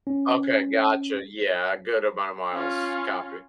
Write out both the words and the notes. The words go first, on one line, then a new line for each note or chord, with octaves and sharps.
Okay, gotcha, yeah, good amount of miles. Copy.
C#4
C#4 F4